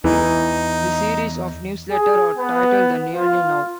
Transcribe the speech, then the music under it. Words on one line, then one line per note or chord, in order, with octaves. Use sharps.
This series of newsletters are titled "The Nearly Now".
E2 E3 D#4
G#4
B3
F4